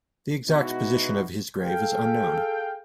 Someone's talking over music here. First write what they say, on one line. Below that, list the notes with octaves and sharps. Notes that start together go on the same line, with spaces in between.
The exact position of his grave is unknown.
B2 G#3 B3 D#4 E4 F#4
G#4 A4 F5 G5